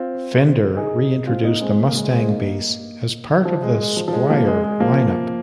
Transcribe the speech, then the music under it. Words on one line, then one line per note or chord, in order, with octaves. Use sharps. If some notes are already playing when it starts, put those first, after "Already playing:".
Fender reintroduced the Mustang Bass as part of the Squier lineup.
Already playing: C4 F4
D#4 G#4
C4 F4
A#3 D#4
G#3 C4
A#3
G#3
G#3 C4
A#3 D#4
F3
G#3
G#3
F3
F3
G#3
F3 A#3
G#3
G#3
F3 A#3